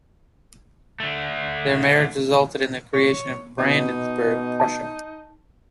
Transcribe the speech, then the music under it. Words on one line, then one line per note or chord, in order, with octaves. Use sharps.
Their marriage resulted in the creation of Brandenburg-Prussia.
D3 A3
C#5
B2 D#4
A5